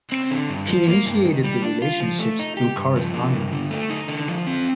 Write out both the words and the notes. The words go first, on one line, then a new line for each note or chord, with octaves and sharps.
He initiated the relationships through correspondence.
C4
D3
G2
F3
A#3
G2
D#3
G3
D4
F4
F3
A3
D#4
G4
G2
F3
A#3
G2
D3
A3
D#4
D3
F3
C4